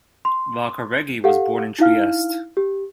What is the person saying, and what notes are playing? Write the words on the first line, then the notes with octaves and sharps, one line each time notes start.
Valcareggi was born in Trieste.
C6
G4 A4 F5 F#5
D#4 E4 F5 F6
G4